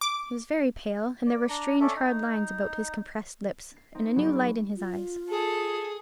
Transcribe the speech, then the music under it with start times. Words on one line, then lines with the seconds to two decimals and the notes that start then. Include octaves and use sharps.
He was very pale, and there were strange hard lines about his compressed lips, and a new light in his eyes.
0.01 D6
1.26 D5
1.49 D4 A#5
1.80 C#4 A4 D5 E5
1.96 D#4
3.77 C7
3.95 C4 D#4
4.16 F#3 B3 G#4 D5
4.76 F4
5.30 G#4 A4